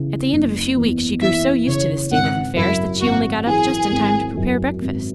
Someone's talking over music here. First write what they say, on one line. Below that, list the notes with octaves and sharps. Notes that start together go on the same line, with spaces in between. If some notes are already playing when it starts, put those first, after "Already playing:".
At the end of a few weeks she grew so used to this state of affairs that she only got up just in time to prepare breakfast.
Already playing: C#3 E3
F#1
E2
E3 E5
C#3 C#5
G#1 F#5
F#2 E4
G#1 F#4
E3 G#4
G#1
F#2
G#1